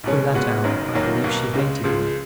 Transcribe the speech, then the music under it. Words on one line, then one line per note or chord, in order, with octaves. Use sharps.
From that hour I believe she hated me.
B1 B2 G#3 C#4
A#2 G#3 B3 F#4
F#1 F#2 D#3 F#3
F1 D#2 D#3 F#3 A#3
B1 B2 A#3
C#2 C#3 G#3
C#2 C#3 F3 G#3